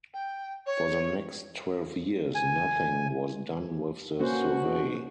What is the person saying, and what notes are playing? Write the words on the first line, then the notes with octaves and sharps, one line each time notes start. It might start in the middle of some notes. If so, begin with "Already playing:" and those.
For the next twelve years nothing was done with the survey.
G5
C#5
G#5
B2 A#3 C#4 F#4 C5